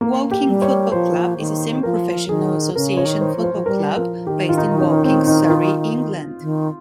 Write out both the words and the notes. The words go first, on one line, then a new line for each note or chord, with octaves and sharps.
Woking Football Club is a semi-professional association football club based in Woking, Surrey, England.
A#3
G4
G3
C#5
F3 C5
D#3
F3 A#4
D#3 G#4
C#3 A#4
C#5
D#3
C5
F3
C5
F3
G3 A#4
F3 A#4
D#3 G4
F4
D#4
C#4
C4
D#4
F4
D#3